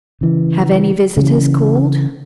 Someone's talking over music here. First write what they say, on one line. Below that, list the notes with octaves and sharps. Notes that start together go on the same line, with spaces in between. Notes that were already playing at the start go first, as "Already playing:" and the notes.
"Have any visitors called?"
C#3 E3
C#3 E3